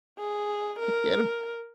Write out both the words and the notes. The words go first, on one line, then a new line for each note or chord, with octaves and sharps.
I can't
G#4
A#4